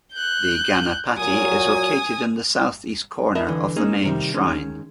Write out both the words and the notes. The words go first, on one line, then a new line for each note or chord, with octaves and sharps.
The Ganapati is located in the south east corner of the main shrine.
F#6 G6
A#2 F#3 G#5 D#6
A#4 D#5 E5 A5 B5
D3 E3
A#3 C#4 D#4 G#4
C3 D#3 G3
D#3 G#3 C#4